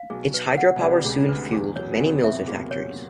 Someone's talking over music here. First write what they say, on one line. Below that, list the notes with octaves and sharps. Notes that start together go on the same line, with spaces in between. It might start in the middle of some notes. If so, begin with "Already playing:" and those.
Its hydropower soon fueled many mills and factories.
Already playing: F5
B1 B2 G#4
B4
F#5
C#3
C2 C3 D5
C#2 C#3 G#4
D2 D3 B4
E2 E3 G#4
F#2 F#3 C#5
B3
C3 C4 G#5
B2 B3 E5
A#2 A#3 G#4
C#5